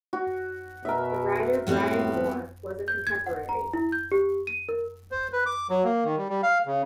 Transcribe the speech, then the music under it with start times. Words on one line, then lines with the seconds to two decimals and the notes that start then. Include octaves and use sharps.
The writer Brian Moore was a contemporary.
0.13 F#4
0.85 B2 A#4 E5
1.67 A2 G3 B3 C4
2.88 G6
3.07 G#6
3.26 F#5
3.49 A#5
3.73 E4
3.92 G6
4.12 G4
4.47 D#7
4.69 A#4
5.11 C5
5.33 B4
5.46 D6
5.70 F#3
5.84 A#3
6.04 D#3
6.17 G3
6.29 G3
6.43 F5
6.66 C#3